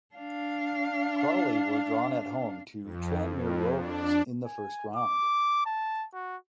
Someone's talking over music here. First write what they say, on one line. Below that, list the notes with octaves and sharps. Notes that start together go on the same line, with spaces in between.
Crawley were drawn at home to Tranmere Rovers in the first round.
D4 F5
F2
F2
D4
G#5
D6
A5
F#4